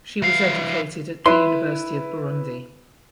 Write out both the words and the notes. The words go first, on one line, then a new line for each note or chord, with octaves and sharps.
She was educated at the University of Burundi.
E3 F5
E4 B4 C6